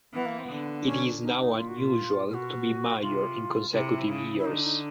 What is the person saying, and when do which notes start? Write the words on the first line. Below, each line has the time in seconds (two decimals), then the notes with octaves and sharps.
It is now unusual to be mayor in consecutive years.
0.13 E3 B3
0.26 A#3
0.39 C4
0.44 B3
0.49 D3
0.85 C#4
1.22 D#4
1.39 D#4
1.58 A#2 F4
1.68 F#4
1.78 F4
2.29 B2 A#4
2.34 F#4
3.02 C3 F4
3.73 C3 E4
4.09 C#3
4.38 E4
4.45 D3 D#4
4.64 D#4